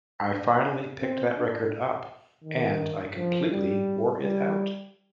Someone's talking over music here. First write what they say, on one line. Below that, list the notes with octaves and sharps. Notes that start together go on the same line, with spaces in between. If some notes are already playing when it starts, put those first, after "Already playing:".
I finally picked that record up, and I completely wore it out.
D4
C4
D4
D#3
F3
G3
G3